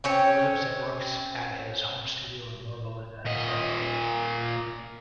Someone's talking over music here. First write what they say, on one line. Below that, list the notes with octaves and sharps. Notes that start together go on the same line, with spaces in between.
He lives and works at his home studio in Yorba Linda, California.
C4 C#4 C#5
A#2 D#5